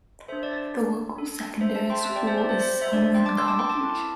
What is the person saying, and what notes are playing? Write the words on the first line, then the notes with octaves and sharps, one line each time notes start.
The local secondary school is Selwyn College.
D4 A4 C5 E5
D5
D5
D4 A4
C5 E5
E5 A5
G5 C6
C4 G4 E5 A5
D5 G5
C5 E5
D5
C5
C5
C5 E5
D4 A4 D5
D5
G5 C6
A5 D6
C6 E6
A5 D6
G5 C6
A5 D6
C4 E4 A4